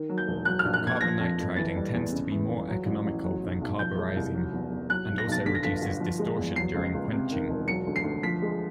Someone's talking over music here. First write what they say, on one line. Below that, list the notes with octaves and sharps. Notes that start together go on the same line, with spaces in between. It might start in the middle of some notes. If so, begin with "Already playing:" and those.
Carbonitriding tends to be more economical than carburizing, and also reduces distortion during quenching.
Already playing: D#3
F#3
G6
E1
F#3 F#6
F6
A#1
F#6
A#1 G#6
F3 A#6
F2
F2
E3 A6
G3
E2
C#3
E3
G1
F#3
A1
A1
F#3
B1
B1
F3 G6
G#3
C2
F#3
E2
E2
F#3 F#6
B1
A#6
B1 A6
D3 B6
A#6
G1 B6
G1
F3
G#3
E2
F#3 C7
C#2
C#2
C3
D#3
E1
F#3 C#7
D2
C7
D2
F3 B6
G#3